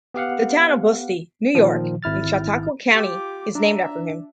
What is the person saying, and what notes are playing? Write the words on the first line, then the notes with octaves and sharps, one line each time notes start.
The Town of Busti, New York in Chautauqua County is named after him.
B3 G4 F5 F#5
A#2 D#3 F3
G#1 E4 F6 A6
F4 G4 D6
D4 E5 A#5